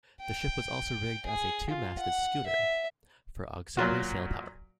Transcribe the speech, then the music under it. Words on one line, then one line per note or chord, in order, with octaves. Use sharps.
The ship was also rigged as a two-masted schooner for auxiliary sail power.
G5
G#4
F4
F#5
E5
A#2 F#3 F4 F#4